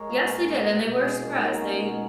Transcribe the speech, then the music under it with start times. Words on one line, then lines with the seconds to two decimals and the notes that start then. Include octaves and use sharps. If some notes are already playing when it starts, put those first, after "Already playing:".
Yes, they did and they were surprised. They
Already playing: G#3 A#4 C#5
0.09 A#2 G#4
0.28 A#2
0.47 G#3
0.66 B2
0.85 B2
1.04 G#3 G#4
1.23 A#2
1.33 D#4
1.42 A#2
1.54 B3
1.61 G#3 C#4
1.80 B2